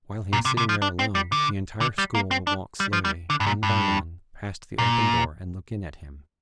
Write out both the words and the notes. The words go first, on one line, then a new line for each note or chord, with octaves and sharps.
While he is sitting there alone, the entire school will walk slowly, one by one, past the open door and look in at him.
A#2
C3
C3
F3
D4
C4
G3
D3
D3
G3
A#3
C4
D4
G3
F3
G3
D3
G2
A#2
G2
A#2